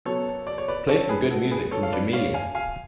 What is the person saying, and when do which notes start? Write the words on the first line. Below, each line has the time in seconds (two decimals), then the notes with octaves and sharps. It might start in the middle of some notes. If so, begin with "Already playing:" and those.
Play some good music from Jamelia.
0.05 B2 F#3 B3 A4 C#5
0.47 D5
0.58 C#5
0.68 B4 D5
0.88 A4 C#5
1.09 G#4 B4
1.30 F#4 A4
1.51 G#4 B4
1.71 A2 F3 A3 A4 C#5
1.83 F5
1.93 B4 D5
2.13 C#5 F5
2.34 F5 G#5
2.55 F5 G#5